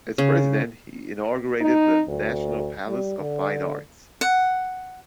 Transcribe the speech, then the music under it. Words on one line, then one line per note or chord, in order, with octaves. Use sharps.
As president, he inaugurated the National Palace of Fine Arts.
C#3
D#4
D2
G3
D3
F#5